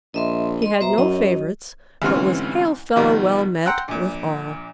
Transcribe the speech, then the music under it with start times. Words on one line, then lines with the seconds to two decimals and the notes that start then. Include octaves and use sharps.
He had no favorites, but was hail-fellow-well-met with all.
0.14 A#1 D#5 E5 C6
0.62 D#5 C6
0.81 B2 C5 E5 A#5
0.98 F#2 F#3 D#5
2.02 D2 G#2 C3 E3 C#4 F6
2.96 B2 D#3 F3 G3
3.66 F#5 G5 A#5 C6 E6 F#6
3.88 A#1 A#2